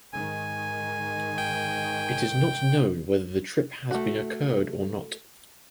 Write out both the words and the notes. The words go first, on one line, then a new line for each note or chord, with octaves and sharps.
It is not known whether the trip has been occurred or not.
G#2 D#3 G#5
G5
A3 F#4